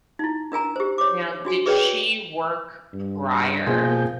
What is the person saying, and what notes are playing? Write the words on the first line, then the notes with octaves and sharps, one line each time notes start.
Now did she work prior
D#4 E4
D4 A#4 G#5 A#5
G4 C5
C#5 D6
D4 F#4 G#5
G#4 A4 B4 C#5 D5 G5
G2
B2 F3 A#3 G#4 G5 G#5 C6